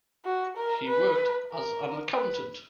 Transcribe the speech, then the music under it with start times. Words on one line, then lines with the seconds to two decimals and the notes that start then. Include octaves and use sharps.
He worked as an accountant.
0.25 F#4
0.57 A#4
0.87 B4
1.52 A#4
2.15 B4